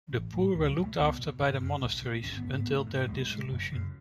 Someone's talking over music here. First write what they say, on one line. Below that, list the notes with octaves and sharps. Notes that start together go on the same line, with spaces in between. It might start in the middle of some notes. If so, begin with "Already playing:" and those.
The poor were looked after by the monasteries, until their dissolution.
A1
A2
C#2 E3
F#3
B2
A3
C#2 B3
B2
G#1
F#2 C#3
B1
B2
G#1 C#4
B3
G#2
A3
B3
G#1 A3
G#2
B1 G#3
A2
F#1
F#2 C#3